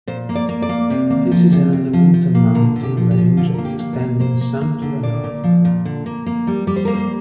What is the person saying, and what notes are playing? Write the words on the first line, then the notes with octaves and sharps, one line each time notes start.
This is an underwater mountain range extending some to the north.
A#2 C5
A#3
D5
A#3
D5
A#3
C3
A#3
F3
C3
C3
F3
F3
A#3
D3 A#4
D3
G4
F3
G4
F3
D3 F4
A#3 A#4
G4
A#3
A#4
A#3
A#3 C5
A#3
A#3
D3
A#3 D5
A#2
F3
A#2
D3
A#3
A#3
G3
G3 D5
C5
A#3 A#4
C5